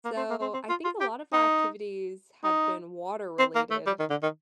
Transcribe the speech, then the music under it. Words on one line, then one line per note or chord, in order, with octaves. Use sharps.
so, I think a lot of our activities have been water related,
A#3
C4
A#3
C4
C4
F4
F4
G4
D#4
D#4
C4
A#3
A3
G3
D#3
D3
D#3